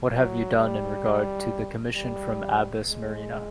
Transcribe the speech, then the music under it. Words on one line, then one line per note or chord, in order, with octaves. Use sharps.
What have you done in regard to the commission from Abbess Marina?
F#3
G3
G3
G#3